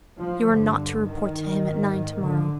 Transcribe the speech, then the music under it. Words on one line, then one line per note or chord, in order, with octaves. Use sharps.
"You are not to report to him at nine tomorrow."
F3
G2 D3
D#3
G#2
D3